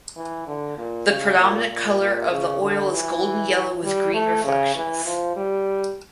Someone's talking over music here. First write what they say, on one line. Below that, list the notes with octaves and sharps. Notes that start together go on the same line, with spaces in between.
The predominant color of the oil is golden yellow with green reflections.
E3
D3
A#2
C#3
A#2
A#2
A#2
C#3
D3
E3
G3
A3
C#3
E3
F3
G3